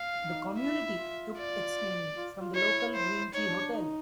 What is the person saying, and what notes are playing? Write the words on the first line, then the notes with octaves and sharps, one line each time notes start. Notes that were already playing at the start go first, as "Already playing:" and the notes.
The community took its name from the local Green Tree Hotel.
Already playing: F5
D#4
E4 E5
E4
F4
D5
F4
F4
E4 C#5
C5
D#4 C#5
D4
D4
D#4